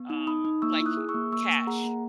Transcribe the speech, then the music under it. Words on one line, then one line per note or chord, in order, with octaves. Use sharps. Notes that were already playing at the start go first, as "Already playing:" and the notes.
Um, like, cash,
Already playing: B3
D#4
D#4 B5 D#6
D#4
A#3 C#6 E6
E4
D#6 F#6
G#4
C#6 E6
A#3
A#3 C#6 E6
A#3
G#4 F#5 A#5
A#3